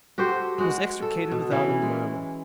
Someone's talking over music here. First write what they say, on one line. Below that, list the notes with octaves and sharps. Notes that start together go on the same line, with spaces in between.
He was extricated without a murmur.
F#4 G4 A4 C5
G#3 F#4
A4
B2
E3 C#4 E4
G#3